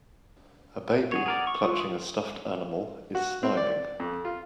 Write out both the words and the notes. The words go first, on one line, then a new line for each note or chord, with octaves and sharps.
A baby clutching a stuffed animal is smiling.
G#4 C#5 F#5
G#4 A#4 D5
C#6
E3 F4 C#6 D#6
F#4
C4
D5
F2
F4